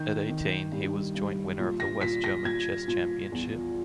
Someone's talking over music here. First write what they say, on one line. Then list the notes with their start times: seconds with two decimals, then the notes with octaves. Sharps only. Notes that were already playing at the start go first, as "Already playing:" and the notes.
At eighteen, he was joint winner of the West German Chess Championship.
Already playing: D#3 G6
0.29 D#3
0.72 G2
1.15 G2
1.59 A#2
1.80 A#6
2.01 A#2 B6
2.24 A#6
2.45 A#2 G#6
2.88 A#2
3.32 E2